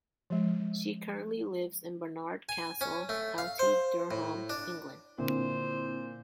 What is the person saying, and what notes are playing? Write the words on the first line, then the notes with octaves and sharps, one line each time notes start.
She currently lives in Barnard Castle, County Durham, England.
F3 G#3
G#5
C#4
A3
F5
C5
A2
D4
A#2 D3 C4 E4 C5